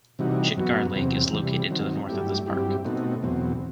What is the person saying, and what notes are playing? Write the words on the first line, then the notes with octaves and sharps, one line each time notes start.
Chitgar Lake is located to the north of this park.
C3 E3 G3 D#4 F#4
F#2 F#3 B3 F#4
E2 C3 F#3 C4
C3 E3 G3
D#3 F#3 C4
G2 F#3 A3 E4 G4
G2 F#3 C4 E4 G4
B2 A3 C4 D#4 F#4
E2 B2 F#3 C4